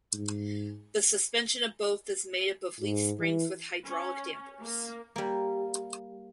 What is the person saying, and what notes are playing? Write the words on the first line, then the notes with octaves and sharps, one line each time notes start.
The suspension of both is made up of leaf springs with hydraulic dampers.
G#2
G#2
E3
C#4
A#3
G3 A#3